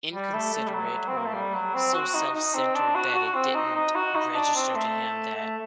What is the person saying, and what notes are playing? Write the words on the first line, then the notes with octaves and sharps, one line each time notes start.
inconsiderate or so self-centered that it didn't register to him that
G3
A3
A3
G3
F#3
C4
A#3
A3
G3
F#3
C4
F#4
D#4
D#4
C4
D4
F#4
F#4
C4
D#4
D#4
F#4
D#4
D4
C4
A3
A3